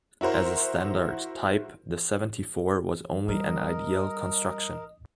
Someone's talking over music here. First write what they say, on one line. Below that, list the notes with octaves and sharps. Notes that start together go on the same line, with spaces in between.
As a standard type, the seventy-four was only an ideal construction.
E4 F#4 A#4 C5
G3 A#4 D#5